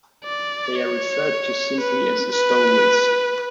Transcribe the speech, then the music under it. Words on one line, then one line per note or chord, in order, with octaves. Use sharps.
They are referred to simply as "the stowaways".
D5
C#5
B4
B4